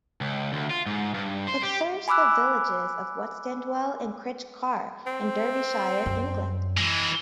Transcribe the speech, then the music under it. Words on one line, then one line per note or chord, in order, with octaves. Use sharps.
It serves the villages of Whatstandwell and Crich Carr in Derbyshire, England.
C#2
D2
F4
G#2
G2
C5
G4
G#5 B5 D6 E6 F#6
C4
F#2
E3 G#3